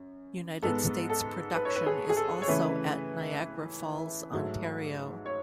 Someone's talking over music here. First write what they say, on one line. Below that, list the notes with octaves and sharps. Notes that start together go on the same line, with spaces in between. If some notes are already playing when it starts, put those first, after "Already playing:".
United States production is also at Niagara Falls, Ontario.
Already playing: F#2
G#2 G#3 B3 A4
A4
B4
C#5
B4
G#4
G#4
A4
C#5
C#3 E3 A3 B4
G#2 F#3 A3
C#5